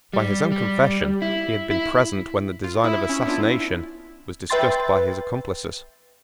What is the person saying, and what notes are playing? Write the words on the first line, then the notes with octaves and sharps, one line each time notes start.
By his own confession he had been present when the design of assassination was discussed by his accomplices.
G3
G3
E4
E4
F4
E4 D#6
C#4
B3 D4 F4
B4 E5 G5 C6 A6